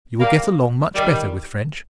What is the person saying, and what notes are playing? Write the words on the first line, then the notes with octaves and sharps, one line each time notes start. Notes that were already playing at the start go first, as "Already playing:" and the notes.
You will get along much better with French.
G3 A#3
D#3 G3